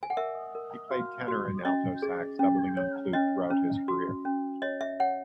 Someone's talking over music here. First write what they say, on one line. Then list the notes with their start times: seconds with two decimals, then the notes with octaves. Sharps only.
He played tenor and alto sax, doubling on flute throughout his career.
0.03 G#5
0.10 F#5
0.17 A#4 E5
0.55 A#4
0.91 F#4
1.28 F#4
1.65 C#4 D#5
2.02 G#4
2.39 C#4
2.77 C#5
3.13 C#4 D#5
3.50 C#4
3.88 F#4
4.25 C#4
4.62 C#5 D#5
4.81 E5
5.00 C#5 F#5